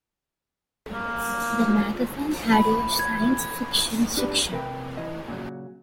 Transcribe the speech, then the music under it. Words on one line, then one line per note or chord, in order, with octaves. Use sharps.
The magazine had a science fiction section.
A#3
B5
G#6
D4 G4 B4
C3 A#4 B4 D5 G5
E3 D#5
A#2 C#3 F#3